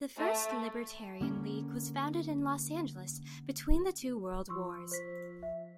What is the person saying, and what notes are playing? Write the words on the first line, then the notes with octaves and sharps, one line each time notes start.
The first Libertarian League was founded in Los Angeles between the two World Wars.
A3
D3 A#3 C#4
F3 C6 C#6 E6
C5 B6
E5